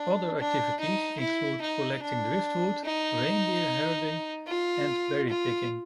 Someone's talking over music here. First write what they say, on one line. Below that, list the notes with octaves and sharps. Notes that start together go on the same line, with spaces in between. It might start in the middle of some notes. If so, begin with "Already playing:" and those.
Other activities include collecting driftwood, reindeer herding, and berrypicking.
Already playing: D4
D4
D#4
E4
D#4
D4
D#4
F4
F4